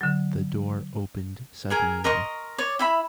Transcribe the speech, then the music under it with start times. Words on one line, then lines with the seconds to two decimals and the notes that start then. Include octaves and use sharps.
The door opened suddenly.
0.01 D3 F#3
1.70 G#4 A#4 G#5
2.04 A#4 D#5 C6 C#6
2.58 C#5 D5
2.79 E4 E5 B5